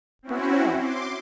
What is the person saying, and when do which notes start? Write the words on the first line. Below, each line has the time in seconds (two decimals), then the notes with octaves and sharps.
But, lo!
0.23 C4 C#4 E4 F#4
0.76 C6 D6